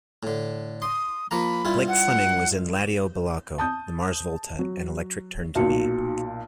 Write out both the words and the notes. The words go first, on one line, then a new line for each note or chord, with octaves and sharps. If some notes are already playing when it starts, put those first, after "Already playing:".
Blake Fleming was in Laddio Bolocko, The Mars Volta and Electric Turn to Me.
A2 D3
C6 D#6
F3 A#3 A#5 B5
G2 E4 F4
F#5
A5 D#6 G6
F#3
B1 A#2 D#4 F#4 C#7